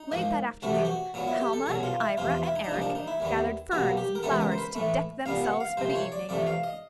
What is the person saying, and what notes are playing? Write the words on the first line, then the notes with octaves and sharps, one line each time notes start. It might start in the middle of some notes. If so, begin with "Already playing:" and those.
Late that afternoon Helma and Ivra and Eric gathered ferns and flowers to deck themselves for the evening.
Already playing: D#4
G#2 F3 A#3
C2 C3 E3 A3 F#4
G4
F#4
A#2 F#3 B3
E4
G4
A4
C2 B2 F#3 G#4
F4
E4
E2 C3 F3 F4
F4
E4
D#4
D4
C2 A#2 F3 D#4
D4
D#4
E4
D#2 D#3 G3 B3
C2 B2 G3 A#3 F#4
G4
A#4
C#2 C3 E3 G#3 B3 A4
B4
A#4
C5
B4
A2 E3 A3
C2 A#2 G3 B3 F5
F#5
F5
C2 C3 F3 C5
C5
C#5
D5
F2 C3 E3 A3 D5
F5
D#5